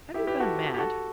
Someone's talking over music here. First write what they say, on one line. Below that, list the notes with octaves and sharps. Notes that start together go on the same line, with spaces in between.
"Have you gone mad?"
E4 G4
G4 B4
F#4 A4
G4
F#4 A4